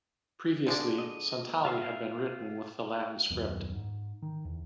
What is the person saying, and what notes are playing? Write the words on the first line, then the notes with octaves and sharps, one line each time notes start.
Previously, Santali had been written with the Latin script.
D3 G#3 D5
D#5
F4 E5 F5
D#1 F#2 D#3 B3
G#2
D#3
E2